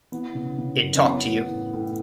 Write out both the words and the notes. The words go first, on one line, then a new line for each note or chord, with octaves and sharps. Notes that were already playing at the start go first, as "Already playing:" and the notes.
It talked to you.
E3 B3
C#3
C#3
F#2
C#4
E3 B3
E3
A2
A2